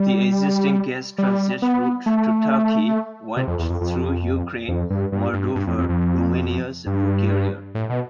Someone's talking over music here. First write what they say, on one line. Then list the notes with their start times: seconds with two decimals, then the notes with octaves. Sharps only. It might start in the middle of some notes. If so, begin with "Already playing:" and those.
The existing gas transit route to Turkey went through Ukraine, Moldova, Romania, and Bulgaria.
Already playing: G3
1.18 G3
1.62 B3
2.06 A3
3.36 C3
3.47 F2
3.59 E2
3.70 F2
3.81 F2
4.68 F2
4.90 G2
5.12 G2
5.33 G2
5.55 G2
5.67 F2
5.78 F2
5.89 F2
6.86 G2
7.75 A2
7.90 B2